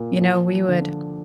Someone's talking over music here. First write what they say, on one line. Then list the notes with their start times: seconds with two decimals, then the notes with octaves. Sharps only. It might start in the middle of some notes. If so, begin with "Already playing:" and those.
You know, we would
Already playing: A#2
0.22 F3
0.69 D3